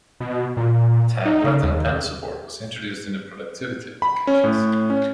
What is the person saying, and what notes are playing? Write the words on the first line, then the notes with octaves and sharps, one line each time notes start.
Tablet and pen support was introduced in the productivity applications.
B2
A#2
D#4
C#3
D#2
B5
C#4
A2
C#4